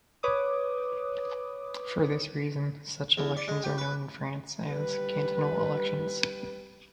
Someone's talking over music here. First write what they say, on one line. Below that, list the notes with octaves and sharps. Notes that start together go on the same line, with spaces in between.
For this reason, such elections are known in France as "cantonal elections".
B4 C#5 D6 D#6
E2
D5
G#3
G4
B4
G3 B4